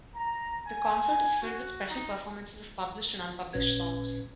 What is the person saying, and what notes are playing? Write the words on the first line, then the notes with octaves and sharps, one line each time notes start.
The concert is filled with special performances of published and unpublished songs.
A#5
G#5
F#4
D#4
A1 A#2 C#4 B4 G#6